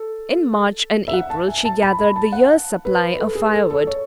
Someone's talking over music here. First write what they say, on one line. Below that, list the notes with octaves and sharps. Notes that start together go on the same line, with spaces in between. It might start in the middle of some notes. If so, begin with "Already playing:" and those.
In March and April she gathered the year's supply of firewood.
Already playing: A4
E5
F#5
A5
G#5
A5
B5
B5
A5
F#5
B4
B4
A4
G#4
A4
A4
C#5